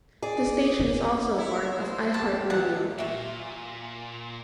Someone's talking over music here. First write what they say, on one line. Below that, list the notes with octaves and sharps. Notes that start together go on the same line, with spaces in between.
The station is also a part of iHeartRadio.
G#4 D5
E4 C#5
C5
G4 A5
E2 G#2 F#5
A#2 E5 C#6